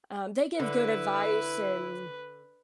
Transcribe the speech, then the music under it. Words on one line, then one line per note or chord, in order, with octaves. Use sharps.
um, they give good advice, and,
D3 E4 B4